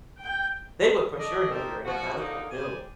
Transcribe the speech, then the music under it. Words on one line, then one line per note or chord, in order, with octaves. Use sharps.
They would, for sure, know you're in a medical field.
G5
A4 D5 D#5
D#4 G4 A4 A#4 C5
F3 F#4
A#2 D3 A#3 D#4
G4 C5 D5 G#5